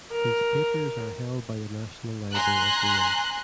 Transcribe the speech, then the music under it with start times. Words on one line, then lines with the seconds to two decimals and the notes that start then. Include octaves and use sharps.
His papers are held by the National Library of Wales.
0.12 A#4
2.33 G#5 A#5 C6 F#6